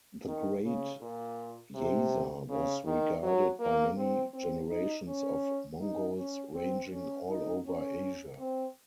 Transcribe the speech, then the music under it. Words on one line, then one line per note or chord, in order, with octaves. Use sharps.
The Great Yasa was regarded by many generations of Mongols ranging all over Asia.
D#3
C#3
A#2
C3
C#3
D#3
F#3
A#3
C4
C4
D#4
C#4
D#4
C#4
C4
C#4
D#4
C#4
C4